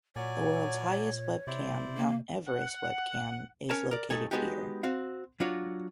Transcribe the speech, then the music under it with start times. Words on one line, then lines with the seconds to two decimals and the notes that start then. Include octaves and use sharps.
The world's highest webcam, Mount Everest webcam, is located here.
0.16 A#2 F#3 C#5 D5 G#5
1.47 C3 E4 C5 D5
1.97 A#3
2.47 F#5
3.70 C#4 A#4 C#5 A5
3.91 A#4 D5
4.10 B1 A3 D#4 A4 G#5
4.31 G#3 A#3 B3 D#4 F#4 G4
4.83 C4 F#4 F5
5.40 F#3 D4 F4 F#4 C#5